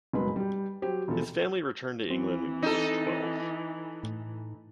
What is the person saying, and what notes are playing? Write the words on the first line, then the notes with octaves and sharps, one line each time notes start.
His family returned to England when he was twelve.
F#1 G2 B2 G#3 B4 B5
G3 G4
F#3 G4 C5
E1 F3 A4
E3 C4
D#4 A4
A2